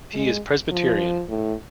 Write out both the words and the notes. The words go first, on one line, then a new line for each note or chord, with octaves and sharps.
He is Presbyterian.
G#3
F3
A2